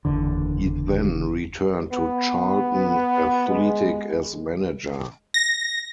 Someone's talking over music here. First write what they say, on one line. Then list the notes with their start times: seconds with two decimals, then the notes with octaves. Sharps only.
He then returned to Charlton Athletic as manager.
0.05 F#1 E2 D3
1.92 B3
3.48 G#3
5.34 A#6